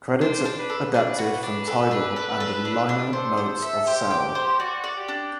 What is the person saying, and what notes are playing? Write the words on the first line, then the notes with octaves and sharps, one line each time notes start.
Credits adapted from Tidal and the liner notes of "Sour".
D4 C5
D4
B4
A4
D4 B4
F#4
D4
A4
D4
A4
A4
D4
D4
A4 C5
C5
E5
G4 C5
G5
C5
F#4 D5
D5
G4
D4